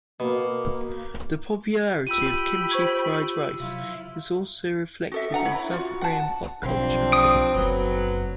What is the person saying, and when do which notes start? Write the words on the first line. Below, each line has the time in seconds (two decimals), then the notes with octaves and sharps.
The popularity of kimchi fried rice is also reflected in South Korean pop culture.
0.20 B2 A#3
2.07 F4 G4 G5 B5 E6 D#7
2.71 C5 C#6 G#6
3.60 C3 F#3 E4 F4
5.12 F#4 A4 E5
5.32 D4 F#5 A#5
5.45 E4 C#5 B5
5.71 F4 F#4
6.01 F#5 A5
6.62 B1 F3 G3 C4 D4
7.12 D#6 D7
7.54 F#1 B1 F#2 F#3 B4